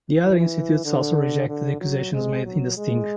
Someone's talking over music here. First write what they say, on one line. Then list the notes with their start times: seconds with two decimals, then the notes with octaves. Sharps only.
The other institutes also rejected the accusations made in the sting.
0.20 E3
0.85 D3
1.49 D3
1.81 F#3
2.13 G#3
2.45 F#3
2.77 G#3